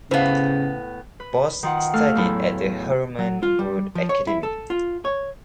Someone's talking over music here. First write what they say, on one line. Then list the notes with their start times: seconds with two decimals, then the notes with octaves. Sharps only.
Bos studied at the Herman Brood Academie.
0.11 A2 C#3 B3 C5 F5
1.20 B4
1.63 D#3 F4 F#5
1.93 A3 A4 F5 F6
2.15 E2 A2 F#3 E4 A4
3.19 F#3
3.43 F4
3.59 G3
3.95 F3
4.09 C#5
4.27 E4
4.43 A4
4.70 F4
5.05 C#5